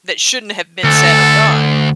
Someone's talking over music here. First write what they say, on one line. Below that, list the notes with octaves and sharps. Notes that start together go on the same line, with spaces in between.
that shouldn't have been said or done,
D2 A4